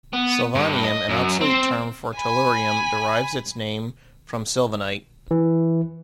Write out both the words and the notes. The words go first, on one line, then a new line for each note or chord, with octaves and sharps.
Sylvanium, an obsolete term for tellurium, derived its name from sylvanite.
B3
G2
D#5
F#2
C4
G#5 B5
E3